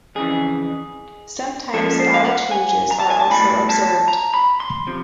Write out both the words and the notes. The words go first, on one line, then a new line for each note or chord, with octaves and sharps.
Sometimes vowel changes are also observed.
F2 C#3 E3 G#4
G#2 F3 A#3 C#4 A4
C5
F5
F#5
G#5
A#5
A5
G#5
A5
B1 A2 F#3 A3 B5
A5
A#5
B5
C6
C3 F3